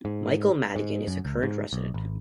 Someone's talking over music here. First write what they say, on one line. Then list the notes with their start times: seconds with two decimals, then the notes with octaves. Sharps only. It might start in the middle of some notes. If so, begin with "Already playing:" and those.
Michael Madigan is a Current resident.
0.05 G#2
0.76 G#2
1.07 F#2
1.25 C#2
1.43 G#2
1.73 B1
1.94 G#1